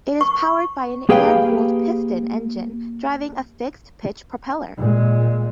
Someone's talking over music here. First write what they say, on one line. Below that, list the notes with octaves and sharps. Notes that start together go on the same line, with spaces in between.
It is powered by an air-cooled piston engine driving a fixed-pitch propeller.
C#6
A#3 G4 G#4 B4 F5 G5
A#2 G#3